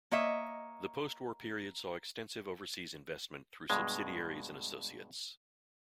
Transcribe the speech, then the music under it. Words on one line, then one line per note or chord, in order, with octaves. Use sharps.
The post-war period saw extensive overseas investment through subsidiaries and associates.
A#3 C#5 D#5 E5
G2 B2 G#3